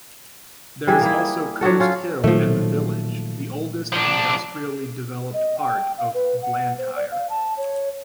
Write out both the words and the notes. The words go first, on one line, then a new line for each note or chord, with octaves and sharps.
There is also Coatshill and the village, the oldest industrially developed part of Blantyre.
E3 G3 G#4
A#3 E4
F#3 D4 F#4 A4
C#4 F4
A#2 D#3 F3 F#3 A3
F3 D4
D#5
G5
F5
B4
F#5
C5
D5
F5
A5
C#5